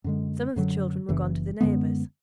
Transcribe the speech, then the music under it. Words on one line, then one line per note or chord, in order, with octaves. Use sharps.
Some of the children were gone to the neighbours.
F#2 D3 G#3
F#2 D3 F#3
F#1 F#2 C#3 E3
F#2 D3 G#3 B3